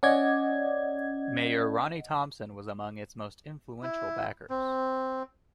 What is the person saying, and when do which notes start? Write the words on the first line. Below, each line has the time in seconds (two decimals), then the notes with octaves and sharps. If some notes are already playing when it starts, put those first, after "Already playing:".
Mayor Ronnie Thompson was among its most influential backers.
0.03 C#4 D5 D#5 F#5 G#6
3.83 E4
4.50 C4